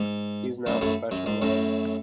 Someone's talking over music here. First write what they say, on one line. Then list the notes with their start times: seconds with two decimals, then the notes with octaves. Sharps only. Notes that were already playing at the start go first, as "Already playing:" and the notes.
He is now a professional writer.
Already playing: G#2
0.66 F#2 A2
0.81 F#2 A2
1.11 F#2
1.26 G#2
1.42 F#2 A2